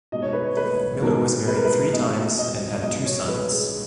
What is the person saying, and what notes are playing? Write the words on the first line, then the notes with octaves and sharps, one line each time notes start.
Miller was married three times and had two sons.
B2 G#3 D#4 D#5
C#5
B4
C#5
B4
B2 G#3 D#4 A#4
B4
A#4
B4
B2 G#3 D#4 D#5
D#5
B2 G#3 D#4 D#5
C#5
B4
G#4